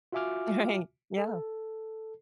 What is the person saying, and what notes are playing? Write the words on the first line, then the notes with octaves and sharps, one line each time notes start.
Right. Yeah.
F4 F#4 E5 G#5 D6 F6
A4